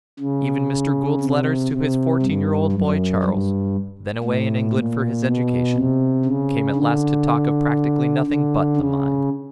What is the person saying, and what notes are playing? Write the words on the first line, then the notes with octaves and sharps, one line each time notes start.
Even Mr. Gould's letters to his fourteen-year-old boy Charles, then away in England for his education, came at last to talk of practically nothing but the mine.
C#3
C3
C3
G2
F#2
G2
A2
A#2
B2
C3
C#3
D3
D3
C#3